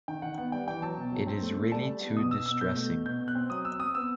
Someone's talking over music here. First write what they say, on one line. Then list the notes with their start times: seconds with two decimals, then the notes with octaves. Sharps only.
It is really too distressing.
0.08 D#3 G5
0.22 D#3 F#5
0.38 B3 F#5
0.52 G3 G5
0.67 E3 G5
0.82 F#3 A5
0.97 B2
1.12 F#3
1.27 C4
1.42 A3
1.57 A3
1.72 G3 A5
1.87 G3
2.02 B3
2.16 B2 D#6
2.31 B2 E6
2.46 B2 E6
2.61 B2 G6
2.76 A3
2.91 B2
3.05 B2 G6
3.20 B2
3.28 F#6
3.35 C4
3.50 F#3 D#6
3.65 C4 E6
3.79 C4 D#6
3.95 B3 E6